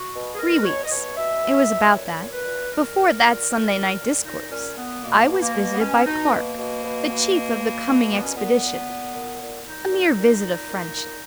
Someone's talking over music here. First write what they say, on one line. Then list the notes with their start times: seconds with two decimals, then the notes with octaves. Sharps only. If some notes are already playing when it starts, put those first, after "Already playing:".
Three weeks--it was about that--before that Sunday night discourse, I was visited by Clark, the chief of the coming expedition--a mere visit of friendship.
Already playing: F#4
0.14 B2
0.35 G#4
0.39 B2 A#4
0.60 B4
0.65 B2 C#5
0.83 D#5
0.91 B2 C#5
1.17 B2 E5
1.43 B2
1.68 B2
1.93 A#2 C#5
2.19 A#2
2.32 B4
2.45 A#2
2.72 A#2 A#4
2.97 A#2
3.22 A#2
3.49 A#2
3.74 A#2
4.00 A#2
4.25 A#2 D#4
4.50 A#2 C#4
4.77 A#2 B3
5.02 B2 A#3
5.28 B2
5.41 A#3
5.54 B2
5.74 B3
5.80 B2 C#4
6.06 B2 D#4
6.30 B2 A#3
6.57 B2
6.83 B2
7.08 B2
7.34 B2
7.60 B2
7.86 B2
8.11 A#2 B3
8.23 C#4
8.34 A#2 B3
8.63 A#2
8.88 A#2
9.13 A#2
9.40 A#2
9.65 A#2 D#4
9.91 A#2
10.16 A#2
10.42 A#2
10.68 A#2
10.95 A#2